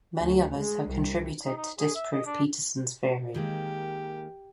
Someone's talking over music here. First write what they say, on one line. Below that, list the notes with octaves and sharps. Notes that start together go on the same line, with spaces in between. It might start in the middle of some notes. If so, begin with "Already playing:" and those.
Many others have contributed to disprove Petersen's theory.
D2
G#3
C2
D#4
D#4
G#4
E5
D#5
D4
D#3 G#3 A#3 G4